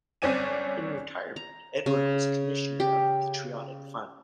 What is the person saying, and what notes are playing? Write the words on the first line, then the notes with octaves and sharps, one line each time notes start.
In retirement Edward was a commissioner of the Patriotic Fund.
G1 C4 C#4 D5 G#5 D#7
A#5
C#3
G4